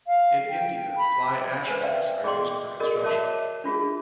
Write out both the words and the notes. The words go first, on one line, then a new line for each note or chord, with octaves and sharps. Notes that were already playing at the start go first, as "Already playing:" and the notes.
In India, fly ash bricks are used for construction.
F5
G5
B5
B4 C5 G#5
D5 E5 F5 G5
G#4 D5 D#5 G5 C6 D6
F#4 G#4 A#4 D5 D#5
A#4 C#5 D#5 E5 A5 D6
D4 F4 F#4 G#4